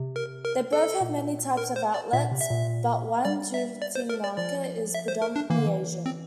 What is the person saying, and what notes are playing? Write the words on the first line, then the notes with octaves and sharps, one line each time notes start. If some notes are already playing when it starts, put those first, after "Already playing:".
They both have many types of outlets, but one, Tooting Market, is predominately Asian.
Already playing: C3
A#4
A#4
A4
A#2
A#4
C5
D5
A#2 E5
C3
E5
A#2
G3 D5
E5
D5
C5
A#4
D5
F3 D5
E5
C5
A#4
D4
E3 A#3
D3
E3
C4